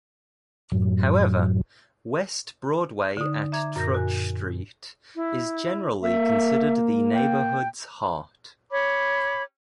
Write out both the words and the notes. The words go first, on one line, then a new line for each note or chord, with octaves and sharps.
However, West Broadway at Trutch Street is generally considered the neighbourhood's heart.
F#2 A2 F#3
D3 D#4
E5 A#5 D6 G#6
F#2 A#2 A#4 G6 A#6
F#4 G#5
E4
A#3 E5
G5
C#5 B5 D6